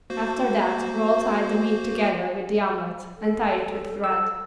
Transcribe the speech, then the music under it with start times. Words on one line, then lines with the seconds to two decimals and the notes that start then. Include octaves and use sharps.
After that roll tight the meat together with the omelet and tie it with thread.
0.10 A#3 F#4 C5
3.17 A4
4.04 E6